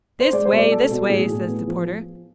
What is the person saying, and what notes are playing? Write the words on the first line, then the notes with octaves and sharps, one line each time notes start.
'This way, this way,' says the porter.
C5
G#3 D5
C5
B2
D5
G#3 A4
B2
A2 G#4
A2
B3
F3